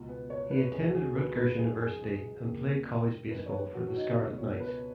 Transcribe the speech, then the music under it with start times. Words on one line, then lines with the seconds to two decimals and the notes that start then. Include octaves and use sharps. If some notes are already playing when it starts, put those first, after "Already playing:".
He attended Rutgers University and played college baseball for the Scarlet Knights.
Already playing: C#2 B2
0.09 B3
0.30 C#5
0.51 B4
0.73 C#2 B2 G#4
0.89 F#4
0.95 G#4
1.16 B4
1.37 B4
1.59 F#2 D#3 G#4
1.81 G#4
2.03 G#4
2.45 D#2 C#3
3.31 D#3 B4
3.36 F#2
3.46 C#5
3.52 B4
3.74 F#4
3.88 F#4
3.96 D#4
4.17 C#2 B2
4.38 C#5
4.60 B4